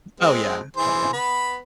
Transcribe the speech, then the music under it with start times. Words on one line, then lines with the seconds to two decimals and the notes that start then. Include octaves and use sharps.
Oh yeah, oh yeah.
0.20 G#3 C4
0.77 E3 G#4 C5
1.13 B3 B4 B5